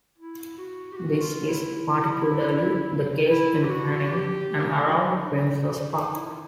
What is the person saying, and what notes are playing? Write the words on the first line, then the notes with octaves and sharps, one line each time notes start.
This is particularly the case in Canning, and around Princes Park.
E4
F#4
G4
F#4
F4
E4
E4
G4
F#4
G4
F#4
D#4
D4
D#4
E4
F4